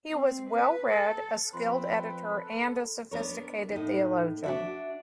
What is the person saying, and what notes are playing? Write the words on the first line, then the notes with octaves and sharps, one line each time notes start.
He was well read, a skilled editor, and a sophisticated theologian.
C4
B4
A4
F2 C4 B4 C6
A4
B3 D4 A#4 C#5
A2 D#4
D4 F#4 E5